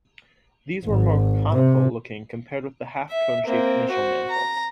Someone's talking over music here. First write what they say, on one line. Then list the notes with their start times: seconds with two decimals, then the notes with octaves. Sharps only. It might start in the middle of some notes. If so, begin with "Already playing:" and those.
These were more conical looking compared with the half cone shaped initial mantles.
0.85 G#1
1.52 C3
3.10 E5
3.45 A#3 C4
3.90 F#4 C5
4.30 A#5